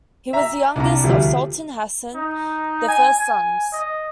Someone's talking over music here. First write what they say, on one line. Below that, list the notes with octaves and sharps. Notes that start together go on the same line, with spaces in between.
He was the youngest of Sultan Hassan the First's sons.
E5 A#5
C2 D4 A#5
D2 F3 G3
D#4
G#5
G#5
D#5